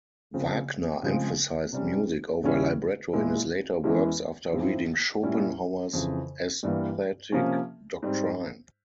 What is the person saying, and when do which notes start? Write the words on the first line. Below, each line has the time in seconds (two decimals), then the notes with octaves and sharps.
Wagner emphasized music over libretto in his later works after reading Schopenhauer's aesthetic doctrine.
0.34 C#3 F3 C4
1.03 C#3 F3 G#3 C4
1.73 C3 G3 C#4
2.43 C#3 G3 C#4 E4
3.13 A#2 G#3 E4
3.84 E2 E3 G#3 C#4 E4
4.53 G#2 F3 C4 E4
5.22 A#2 G3 C#4 E4
5.93 F2 C#3 E3
6.63 G2 E3 G3 A#3
7.32 C3 F3 A#3 C#4
8.02 G#2 G3 C4